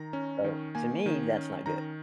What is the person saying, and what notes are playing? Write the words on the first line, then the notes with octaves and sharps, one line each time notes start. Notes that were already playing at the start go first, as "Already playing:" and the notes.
So, to me, that's not good,
Already playing: D#3 A#5
C#4
D#3
A#3 G#5
D#3
C#4
D#3 A#5